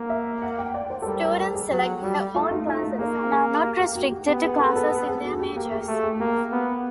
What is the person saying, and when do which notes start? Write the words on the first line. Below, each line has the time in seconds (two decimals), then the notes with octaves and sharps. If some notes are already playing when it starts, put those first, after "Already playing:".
Students select their own classes and are not restricted to classes in their majors.
Already playing: A#3 F5 F#5
0.10 E5
0.42 F#5
0.58 G5
0.74 D5
0.90 C5
1.02 A4
1.06 G3 A#4
1.23 A#4
1.38 A4
1.55 G#4
1.71 F#3 G4
2.03 G3 F#4
2.35 A3 F4
2.51 D#4
2.67 A3 D#4
2.83 D#4
2.98 A#3 G#4
3.31 G#4
3.63 G4
3.79 G4
3.95 F#4
4.12 G4
4.27 B3 G4
4.43 G#4
4.60 A4
4.76 A4
4.91 G#4
5.08 G#4
5.23 F#4
5.34 F#4
5.40 G4
5.56 A#3 G4
5.72 G#4
5.87 A3
6.04 G#4
6.20 A#3 G4
6.52 B3